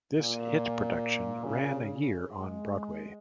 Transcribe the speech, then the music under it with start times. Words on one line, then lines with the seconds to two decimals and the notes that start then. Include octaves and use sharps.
This hit production ran a year on Broadway.
0.17 A#2
1.44 C#3
2.39 G#3